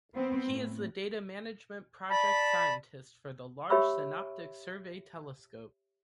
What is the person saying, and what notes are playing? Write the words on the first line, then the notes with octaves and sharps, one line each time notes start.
He is the Data Management Project Scientist for the Large Synoptic Survey Telescope.
B3 C4
A2
D5 A5 B5
G4 C#5 E5 B5 C#6 E6